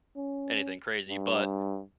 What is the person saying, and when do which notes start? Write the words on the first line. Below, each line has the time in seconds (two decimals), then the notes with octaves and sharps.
anything crazy, but,
0.16 C#4
1.09 G2